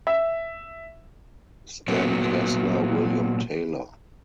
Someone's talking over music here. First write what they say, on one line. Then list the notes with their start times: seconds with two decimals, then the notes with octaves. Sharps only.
Stan Kesler - William Taylor.
0.07 E5
1.88 A#2 F#3 B3